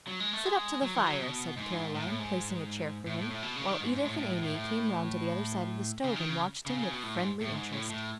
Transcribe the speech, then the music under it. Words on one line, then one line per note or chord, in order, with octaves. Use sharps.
"Sit up to the fire," said Caroline, placing a chair for him, while Edith and Amy came round to the other side of the stove and watched him with friendly interest.
F#3
G#3
A3
G#3
F#3
E3
F#3
B2
G#2
A2
A2
G#2
A2
A2
A2
B2
C#3
D#3
G#2
G#2
A2
A2
A2
A2
A2
C#3
D#3
C#3
C#3
C#3
B2
A2
G#2
A2
G#2
A2
A2